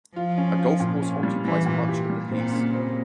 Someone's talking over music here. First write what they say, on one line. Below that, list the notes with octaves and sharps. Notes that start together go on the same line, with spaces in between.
A golf course occupies much of the heath.
F3 F4
C#4
F4
A#2
C#4
G3
E3 G3
A#2
G4
G3
A#2 C4
C#3
C4